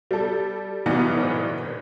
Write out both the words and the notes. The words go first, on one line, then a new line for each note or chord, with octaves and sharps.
Right, okay.
G3 A4
G2 E3 F#3 B3 D#4